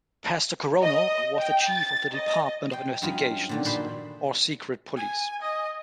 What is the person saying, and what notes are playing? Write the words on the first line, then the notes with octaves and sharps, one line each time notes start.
Pastor Coronel was the chief of the Department of Investigations, or secret police.
D#5
G5
A6
D#5
G5 C6
G2 F3 F#3 C#4 F4 D#5
A#2 D3 D#3
A#2 F#4 G#4 C5 B5 C6
G#5
D#5